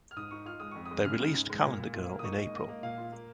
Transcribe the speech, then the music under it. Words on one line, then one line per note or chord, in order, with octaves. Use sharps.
They released "Calendar Girl" in April.
F6
G#2 D#6
D#4 C#6
F4 F6
G#3 D#6
F2 C#6
D#6
G#3
C#3 F6
C#3
G#2
G#3
A#2
A#2
F4
A#3
D#6
D#4 C#6
G#3 D#5
A#3 D#5
A#3
A#2 F5
F4
A#3